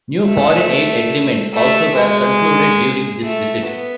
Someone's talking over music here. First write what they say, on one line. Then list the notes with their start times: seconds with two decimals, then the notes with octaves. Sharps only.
New foreign aid agreements also were concluded during this visit.
0.25 A3
1.53 A3
1.95 G#3
3.23 A3
3.66 B3